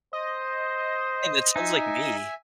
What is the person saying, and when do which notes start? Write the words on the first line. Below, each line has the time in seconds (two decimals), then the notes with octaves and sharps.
And that sounds like me.
0.13 C5 D#5
1.56 D#4 E5 G#5